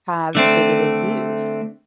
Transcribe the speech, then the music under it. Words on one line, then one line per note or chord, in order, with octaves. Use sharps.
have bigoted views,
D3 A3 C4